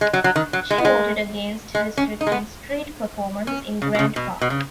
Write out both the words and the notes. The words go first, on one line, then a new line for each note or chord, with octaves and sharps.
She voted against restricting street performers in Grant Park.
G#3
F#3
F#3
D#3
F#3
G#3
B3
G#3
G#3
C#4
D#4
G#3
B3
C#4
C#3
B2
C#3
B2
B2
C#3